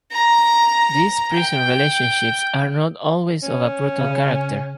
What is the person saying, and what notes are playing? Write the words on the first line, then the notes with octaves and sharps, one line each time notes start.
These prison relationships are not always of a brutal character.
A#5
G5
C#4
C#3